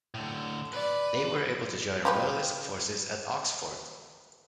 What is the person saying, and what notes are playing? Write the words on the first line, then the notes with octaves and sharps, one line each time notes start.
They were able to join Royalist forces at Oxford.
A2 D3
B4 D5
F3 G4 B4